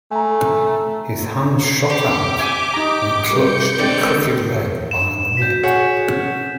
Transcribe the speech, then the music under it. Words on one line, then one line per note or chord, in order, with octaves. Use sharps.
His hand shot out and clutched Crooked-Leg by the neck.
A3 G#5 A#5
G4 D6
E5 G#5 G#6
D#4 A#5
G3 B4 G6 C#7
C#2 B2 D3 C4 D5 G5
E7
F#4 G6 B6
G#4 C#5 F#5
C#4